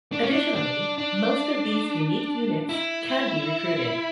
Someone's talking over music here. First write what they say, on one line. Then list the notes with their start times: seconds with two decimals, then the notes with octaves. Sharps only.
Additionally, most of these unique units can be recruited.
0.12 D4
0.23 C#4
0.33 D4
0.56 D4
0.98 D4
2.69 E4